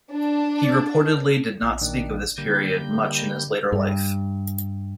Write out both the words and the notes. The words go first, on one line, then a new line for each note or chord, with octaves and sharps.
He reportedly did not speak of this period much in his later life.
D4
A#1
A#2 D#3 D4
D3 G3 A#3 G6
G2